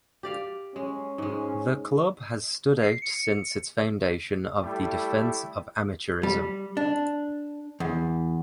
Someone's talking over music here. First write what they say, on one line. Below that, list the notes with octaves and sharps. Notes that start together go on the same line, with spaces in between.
The club has stood out since its foundation of the defense of amateurism.
G4 D5 F5
G#3 C#4
G#2 G#3
C7
C#7
G3 A3 E4 G4
G3
D4
E2